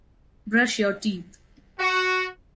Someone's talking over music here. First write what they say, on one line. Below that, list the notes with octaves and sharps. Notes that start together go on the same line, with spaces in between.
Brush your teeth.
F#4